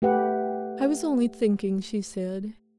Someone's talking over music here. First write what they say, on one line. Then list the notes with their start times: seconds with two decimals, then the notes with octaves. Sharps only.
"I was only thinking," she said.
0.02 A3 G4 B4 F#5